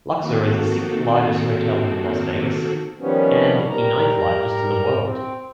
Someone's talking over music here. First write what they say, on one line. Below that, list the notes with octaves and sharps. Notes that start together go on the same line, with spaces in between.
Luxor is the sixth-largest hotel in Las Vegas and the ninth-largest in the world.
D#3 A#3 C4 F#4 A4
D#3 F3 G3 B3 C#4
G3 A#4 A#5
C4